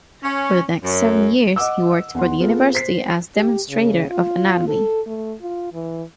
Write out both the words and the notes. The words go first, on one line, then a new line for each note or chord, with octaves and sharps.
For the next seven years, he worked for the University as Demonstrator of Anatomy.
C#4
F#2
D#5 F#5 D6 E6
E2 F#5 C6
B3 F4 G#4 A4
C5 B6 C7
G4
C#3
F4
A4
A3
F4
E3